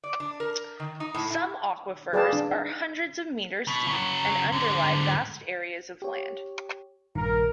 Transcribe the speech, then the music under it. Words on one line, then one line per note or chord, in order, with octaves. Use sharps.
Some aquifers are hundreds of meters deep and underlie vast areas of land.
D5
D4
A#4
D#3
D#4
A2
E4
G#4 B4 D5 F5 G5 A5
D4
D#4
B2
C#3 F#3
G#2 D3
G4 C#5
A#1 G2 D#3 A#4